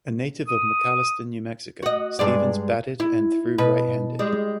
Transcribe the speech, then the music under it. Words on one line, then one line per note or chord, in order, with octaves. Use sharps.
A native of McAlister, New Mexico, Stephens batted and threw right-handed.
D#6
F#4 D#5
G2 G#3 D5
E4
B2 B4
G3 G#3